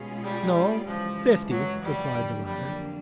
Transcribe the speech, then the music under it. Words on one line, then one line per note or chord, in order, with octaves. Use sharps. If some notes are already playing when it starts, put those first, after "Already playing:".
"No, fifty," replied the latter.
Already playing: B2 G#3 C#4 F4 G#4
G3
G3
F#2 C#3 E3 F3 G#3
F#3
G3
F2 D3 F#3 A#3 D4
G3